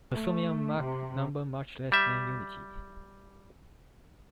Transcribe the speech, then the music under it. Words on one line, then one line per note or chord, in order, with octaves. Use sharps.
Assuming a Mach number much less than unity.
A3
C3
G3 E5